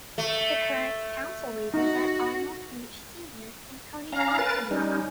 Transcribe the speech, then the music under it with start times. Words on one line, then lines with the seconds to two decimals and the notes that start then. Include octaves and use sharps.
The current council leaders are Arnold Beach Senior and Tony Alsenay.
0.18 A3
1.74 D#4 F#4
4.12 C#4 F5 A#5
4.39 A#4 B4 A6
4.71 G3 C#4 D#4